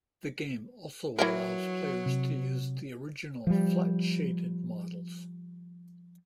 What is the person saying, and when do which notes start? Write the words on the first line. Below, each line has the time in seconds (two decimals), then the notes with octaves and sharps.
The game also allows players to use the original flat-shaded models.
1.19 E3 F#3 E4 A#4
2.06 C3
3.47 F3 G3